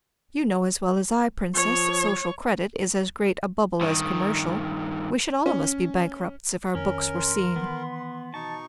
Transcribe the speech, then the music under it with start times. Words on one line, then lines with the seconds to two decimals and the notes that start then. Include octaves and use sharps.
You know as well as I, Princess, that social credit is as great a bubble as commercial; we should all of us be bankrupts if our books were seen.
1.54 F3 C#5
3.81 G2 D#3
5.46 C#4
6.75 F2 D#3 C#4 A#4
7.14 C6
7.56 D#3 E3 B3
8.34 B2 D#4 A5 C#6